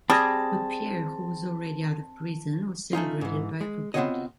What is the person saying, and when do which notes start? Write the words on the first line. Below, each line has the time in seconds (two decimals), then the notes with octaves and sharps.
But Pierre, who was already out of prison, was celebrated by everybody.
0.10 G3 C4 G4 G#4 A5 D#6 G#6 A#6
2.93 A3 C#4 D#4 F4
3.21 G#2 E3
3.61 G#3
3.94 B3 C4 F4 F#4 C#5 D#5